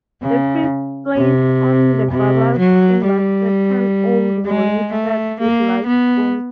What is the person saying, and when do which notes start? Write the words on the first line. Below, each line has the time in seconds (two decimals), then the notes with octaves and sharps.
The priests place on the barber's fingers certain old rings set with large stones.
0.22 C#3
1.17 C3
2.11 C3
2.58 F#3
3.05 G3
4.46 G#3
4.92 A3
5.40 A#3
5.87 B3